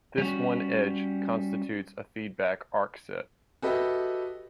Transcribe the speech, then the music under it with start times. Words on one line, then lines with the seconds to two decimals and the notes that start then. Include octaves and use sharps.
This one edge constitutes a feedback arc set.
0.18 G3 C#4 F#4
3.62 F#4 G4 A4 B4 D#5 E5